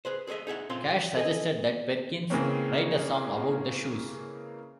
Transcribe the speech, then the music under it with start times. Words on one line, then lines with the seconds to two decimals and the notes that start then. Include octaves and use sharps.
Cash suggested that Perkins write a song about the shoes.
0.05 G#4 B4 C5
0.27 G#4 A4 C5 D#5 E5
0.47 D#4 G#4 E5 F#5
0.70 A#2 C4 C#4 F4 A4 C6
1.17 A4 D#5 G#5
2.30 C#3 E3 G#3 A#3 C4 C#4